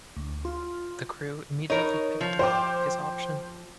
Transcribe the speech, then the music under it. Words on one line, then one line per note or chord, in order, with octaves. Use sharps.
The Crew immediately picked up his option.
D2
F4
D#4 A#4 C#5
F3
C5 G5 D6